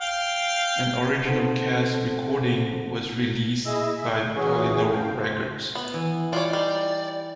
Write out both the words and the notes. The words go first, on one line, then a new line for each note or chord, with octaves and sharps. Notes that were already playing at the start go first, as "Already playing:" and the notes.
An original cast recording was released by Polydor Records.
F5 G5
C4 D#4 A4 C5 F#5 A5
E4 G#4 D#5 E6
E5
E3 C#4 F#4 G#4
F5 G5
C5
B3
E3
F3 G3 C#5 D5
G3 D#4